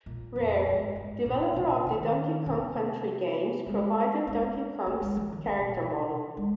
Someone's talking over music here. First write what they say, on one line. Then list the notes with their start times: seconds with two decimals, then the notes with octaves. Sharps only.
Rare, developer of the "Donkey Kong Country" games, provided Donkey Kong's character model.
0.06 A#2
0.36 F2
0.67 G#2
0.96 G#2
1.26 A#2
1.56 C3
1.87 D#3
2.46 C3
3.67 G#3
4.27 C4
4.87 A#3
5.02 G#3
5.17 F3
5.32 D#3
5.47 D#3
5.59 C3
5.69 A#2
5.82 C3
6.37 G#3